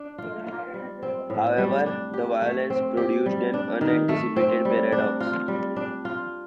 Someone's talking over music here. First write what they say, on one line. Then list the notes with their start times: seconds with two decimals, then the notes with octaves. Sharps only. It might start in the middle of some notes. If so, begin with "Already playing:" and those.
However, the violence produced an unanticipated paradox.
Already playing: D4
0.18 F4
0.47 F4
0.74 G3
1.03 C4
1.30 A2
1.58 G3
1.86 D4
2.13 G4
2.42 A3
2.70 C4
2.97 G4
3.26 G3
3.54 D4
3.81 D#3
4.09 A3
4.36 C4
4.65 G3
4.92 D4
5.20 F4
5.48 G3
5.76 D4
6.05 F4